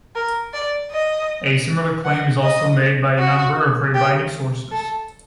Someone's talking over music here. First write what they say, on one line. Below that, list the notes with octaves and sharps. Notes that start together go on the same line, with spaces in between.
A similar claim is also made by a number of Rabbinic sources.
A#4
D5
D#5
F#5
D#5
F#4
G4
A4